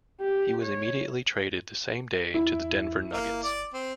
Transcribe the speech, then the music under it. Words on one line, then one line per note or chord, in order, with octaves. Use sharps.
He was immediately traded the same day to the Denver Nuggets.
G4
C#5
E2 E4
G1 A#3
D5
C4